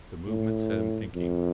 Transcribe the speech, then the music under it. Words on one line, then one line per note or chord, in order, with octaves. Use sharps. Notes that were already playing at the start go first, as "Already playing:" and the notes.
The movement set him thinking.
A2
F2